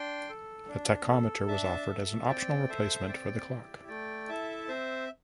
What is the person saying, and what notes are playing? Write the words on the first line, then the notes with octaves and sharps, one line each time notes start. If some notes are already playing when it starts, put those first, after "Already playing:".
A tachometer was offered as an optional replacement for the clock.
Already playing: D4 G5 C6
A4
D4
A4
D4 E5 A5
A4
C4 D5 G5
A4 C5 E5
C4 D5 G5
E4 G4
A3 D5 G5
E4 A4 E5 A5
C4 C5 E5